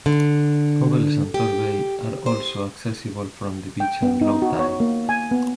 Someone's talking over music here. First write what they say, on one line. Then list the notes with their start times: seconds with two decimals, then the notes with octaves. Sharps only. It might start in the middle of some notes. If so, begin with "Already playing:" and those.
Pobbles and Tor Bay are also accessible from the beach at low tide.
0.06 D3
1.34 G4
2.26 C5
3.80 G5
4.02 B3
4.21 D#4
4.42 F#4
4.59 C#5
4.80 A#3
5.09 G#5
5.31 B3